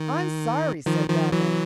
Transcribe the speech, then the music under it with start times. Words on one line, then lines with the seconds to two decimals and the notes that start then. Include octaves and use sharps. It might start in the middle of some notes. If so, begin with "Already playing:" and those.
"I'm sorry," said Belvane.
Already playing: D#3
0.86 D#3 F3
1.09 D#3 F3
1.32 E3 F#3